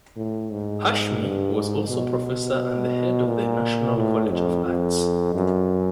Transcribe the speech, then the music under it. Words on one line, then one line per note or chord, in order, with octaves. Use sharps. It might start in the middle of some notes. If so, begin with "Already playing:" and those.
Hashmi was also professor and the head of the National College of Arts.
A2
G#2
G2
G#2
B2
A#2
A2
F2
F2
F#2